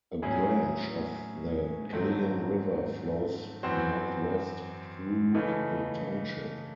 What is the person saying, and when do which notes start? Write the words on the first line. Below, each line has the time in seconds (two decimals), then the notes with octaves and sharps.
A branch of the Galien River flows northwest through the township.
0.22 A2 F#3 C#4 E4 G#4
1.93 G#2 D#3 F#3 A3 C4
3.63 F#2 E3 C4 F#4 C5
5.34 C#3 E3 A3 D#4